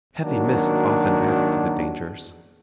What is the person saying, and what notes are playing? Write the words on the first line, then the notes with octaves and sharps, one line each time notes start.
Heavy mists often added to the dangers.
D#3 F#3 A#3 D4 F#4